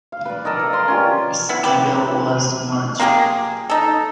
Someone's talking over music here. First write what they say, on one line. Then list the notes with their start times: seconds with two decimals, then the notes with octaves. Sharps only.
Its capital was Marj.
0.12 F5
0.25 B4 D5
0.45 A4 A#4 D5 D#5
0.59 A#5
0.73 D5 C6
0.88 C#4 F4 G4
1.49 B3 E4
1.64 G4 B4
3.00 A#3 F4 G4 G#4
3.70 D#4 A4